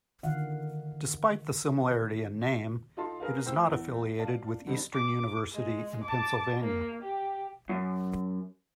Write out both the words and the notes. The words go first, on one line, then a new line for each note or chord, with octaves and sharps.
Despite the similarity in name, it is not affiliated with Eastern University in Pennsylvania.
D3 D#3 F5 F#5
D#4 F4 A4 A5 C6
G#4 A#4 B4 F5
A2 C5 G5 E6
E2
D5 F5 A5
D3 G3 C4 D#4
D6
G#3
A5 D6
A#3
G4
F#2